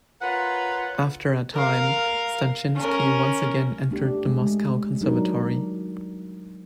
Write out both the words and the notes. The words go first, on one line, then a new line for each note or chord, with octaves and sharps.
After a time, Stanchinsky once again entered the Moscow Conservatory.
F4 A#4 B4 C#5 F#5
A#4 F5
C#4 A#4
A3 D4 G4
G#3 A3 G#4
F#3 D4 D#4 A#4